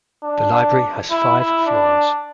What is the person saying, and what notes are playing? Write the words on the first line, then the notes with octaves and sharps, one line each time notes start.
The library has five floors.
D4
E4
E4
D4